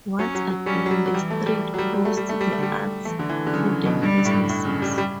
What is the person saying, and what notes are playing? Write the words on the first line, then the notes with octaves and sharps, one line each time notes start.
Once again, the street hosts the arts, food, and businesses.
F#3 C#4
F#3
F#3
G3 C#4
F#3
G3
F#3
E3 G3
A3
G3
F#3
G3
G3
A3
G3
A3
G3
A3
D3 G3
E3 A3
D3
E3
D3
C#3 F#3
B2
G2 G3
G2
A2
G2
A2
C#3
G3
G3